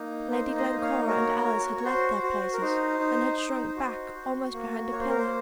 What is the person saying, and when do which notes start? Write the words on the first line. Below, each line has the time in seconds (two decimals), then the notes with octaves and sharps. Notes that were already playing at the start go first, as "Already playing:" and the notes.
Lady Glencora and Alice had left their places, and had shrunk back, almost behind a pillar.
Already playing: A#3 D#4
0.31 D#4 C5
0.57 C5 D#5
0.70 A#3
0.82 C#5 F5
1.08 F#4 A#4 C#5
1.46 F#4
1.77 C#5
1.84 F#4 C5
2.23 F#4
2.53 A#4
2.61 D#4 C5
2.99 D#4
3.37 D#4
3.76 F#4
4.14 F#4
4.53 A#3
4.91 A#3 C#5
5.00 C5
5.10 A#4
5.18 C5